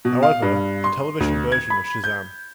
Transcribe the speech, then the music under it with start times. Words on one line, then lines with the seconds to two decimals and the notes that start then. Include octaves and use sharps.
However, the television version of Shazam!
0.05 B2
0.23 F5
0.42 G2
0.84 C6
1.20 D2
1.52 G#6
1.70 B5
2.04 G6